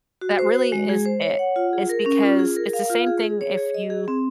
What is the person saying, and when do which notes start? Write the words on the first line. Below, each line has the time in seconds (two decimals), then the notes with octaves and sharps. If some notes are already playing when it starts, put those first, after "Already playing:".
That really is it. It's because it's the same thing if you,
0.21 F#4
0.39 C5
0.55 F#4
0.72 G#3
0.89 G#4
1.06 C5
1.22 C#5
1.39 F#5
1.56 F4
1.73 G#4
1.89 A#4
2.06 C#4
2.23 F4
2.39 G#4
2.57 A#4
2.73 F5
2.90 F4
3.07 G#4
3.24 G#4
3.41 C#5
3.57 G#4
3.74 D#5
3.90 G#4
4.08 C4